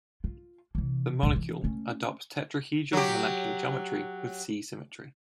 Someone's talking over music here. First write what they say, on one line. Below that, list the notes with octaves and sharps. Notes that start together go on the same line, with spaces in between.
The molecule adopts tetrahedral molecular geometry with C symmetry.
F4
C3 E3
C#2 A#2
E3
A3 C#4
F#3 G4